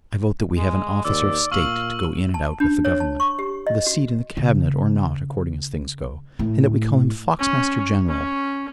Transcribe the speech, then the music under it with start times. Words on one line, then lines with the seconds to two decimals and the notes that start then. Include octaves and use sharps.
I vote that we have an officer of State, to go in and out with the Government,--with a seat in the Cabinet or not according as things go, and that we call him Foxmaster-General.
0.58 G#3
1.05 D#2 D5 E6
1.52 A#2 F5 C#6 E6 F#7
2.34 A5
2.60 D4
2.85 C#5
3.00 A5
3.20 C#6
3.39 G4
3.67 D#5
3.87 F#4
4.37 C#3
6.39 A2
7.39 C#4
8.08 C#4